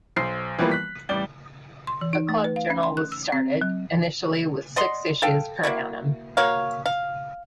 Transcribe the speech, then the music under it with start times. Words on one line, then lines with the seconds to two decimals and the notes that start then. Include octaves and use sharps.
A Club Journal was started, initially with six issues per annum.
0.16 B1 C5 C7
0.59 E3 F3 G3 A#3 B3 B4
0.71 F#6 B6
1.09 A1 G3 D5 G7
1.87 C6
2.01 E3
2.13 D#4
2.29 A3
2.44 B4
2.56 F5
2.70 C#4
2.83 C6
2.97 F#6
3.12 E6
3.32 C4
3.61 F#3
4.76 D5 D#5 F#5 C6
5.22 A4 F5 G5
5.63 A#3 D4 E4 F#4
6.37 A#3 F#4 C#5 F5
6.86 F5